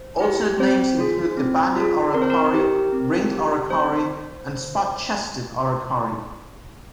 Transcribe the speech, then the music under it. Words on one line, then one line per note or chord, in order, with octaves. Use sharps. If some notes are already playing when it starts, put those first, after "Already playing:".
Alternate names include the banded aracari, ringed aracari and spot-chested aracari.
Already playing: C5
E4 G4
C4 C5
F4 G#4
C4
F4 G#4
C4 A#4
C5
A#4
G4
C4
G4
C4 C5